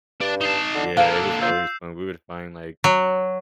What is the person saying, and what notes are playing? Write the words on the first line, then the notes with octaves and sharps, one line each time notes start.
Yeah, it was always fun. We would find, like,
G2 D4
D#4 A5 C7 E7
D3
D3 A#3 A4 F5
F4 E6 G6 C7
F#3